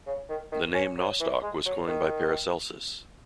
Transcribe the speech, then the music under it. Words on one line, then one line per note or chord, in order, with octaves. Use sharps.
The name "Nostoc" was coined by Paracelsus.
C#3
D#3
D#3
C#4
F#3
E3
G#3
F#3
D#3